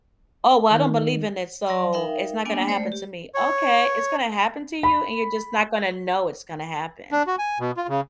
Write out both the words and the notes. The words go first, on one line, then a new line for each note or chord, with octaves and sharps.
"Oh, well, I don't believe in it, so, it's not gonna happen to me." "Okay. It's gonna happen to you, and you're just not gonna know it's gonna happen."
D#3
F#3 D5 F#5 C6
D#4 A#4 E5 F5 G5
A#3 B3 D4 G5 G#5
G#3 A3 C5 D5
G4
C#5
B5
D4
F#4
G#5
B2
F4
C#3